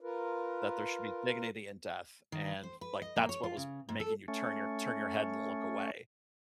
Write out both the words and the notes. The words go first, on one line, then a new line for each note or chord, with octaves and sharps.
that there should be dignity in death, and, like, that's what was making you turn your turn your head and look away."
F4 A#4 B4
D#3
C5
B4
D#5
A#3
C#5
F4
C#3
G#2
A4
A3 C#4